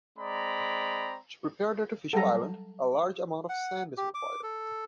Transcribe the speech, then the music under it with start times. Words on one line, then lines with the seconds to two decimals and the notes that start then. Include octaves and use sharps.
To prepare the artificial island, a large amount of sand is required.
0.18 G#3 C4 D5 A#5 B5
2.13 F#3 G3 A4 F#5 A#5
3.49 F#5
3.97 G4
4.14 D6
4.43 A4